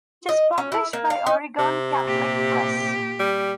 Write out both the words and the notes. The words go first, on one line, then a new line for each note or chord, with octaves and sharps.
It is published by Oregon Catholic Press.
D#5
C#4
E4
A#3
F5
D#4
C3
A#2 G4
G3